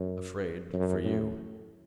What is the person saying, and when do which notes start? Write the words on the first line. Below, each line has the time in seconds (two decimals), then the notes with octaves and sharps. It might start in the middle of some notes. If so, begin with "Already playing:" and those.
"Afraid--for you!"
Already playing: F#2
0.74 F#2
1.05 A2